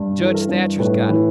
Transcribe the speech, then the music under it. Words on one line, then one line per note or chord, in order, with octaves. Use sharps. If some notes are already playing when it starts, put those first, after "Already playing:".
Judge Thatcher's got it.
Already playing: G2
E3
A4
A#4
G2
A2 B4
E3